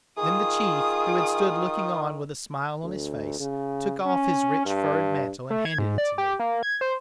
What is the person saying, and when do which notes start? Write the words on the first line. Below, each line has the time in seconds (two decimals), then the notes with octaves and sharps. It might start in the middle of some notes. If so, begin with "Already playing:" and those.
Then the chief, who had stood looking on with a smile on his face took off his rich furred mantle and handed it to me.
0.18 D#3 F4 G#4 D#6
2.83 D2
3.39 C#3
4.06 C#4
4.66 G2
5.50 A3
5.65 G#6
5.79 G#2
5.98 D5
6.18 G4
6.40 A#3
6.63 G#6
6.81 C5